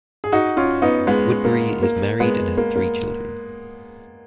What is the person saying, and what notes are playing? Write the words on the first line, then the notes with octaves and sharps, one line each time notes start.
Woodbury is married and has three children.
G#4
D#4 F#4
C#4 F4
B3 D#4
G#3 B3
A#3
A#3
G#3 B3
A#3
A#3